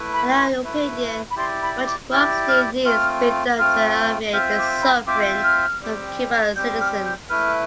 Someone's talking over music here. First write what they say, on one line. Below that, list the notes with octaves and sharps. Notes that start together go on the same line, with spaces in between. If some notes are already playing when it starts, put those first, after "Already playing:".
In our opinion, much work still needs to be done to alleviate the suffering of Cuban citizens.
Already playing: A3 E4 B4
B5
C6
A3 E4 B4
B5
E4 G4 D5 C6
B5
D6
E4 G4 D5 F6
F6
A3 C4 F4 F6
A3 C4 F4 F6
C4 F4 C5 E5 F6
D6
B5
C4 F4 C5 E5 D6
F6
G3 C4 G4
G3 C4 G4 G6
F6
G6
A3 E4 B4 F6